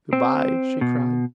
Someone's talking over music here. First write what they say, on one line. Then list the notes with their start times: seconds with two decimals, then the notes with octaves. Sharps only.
"Good-bye!" she cried.
0.13 C4
0.81 B2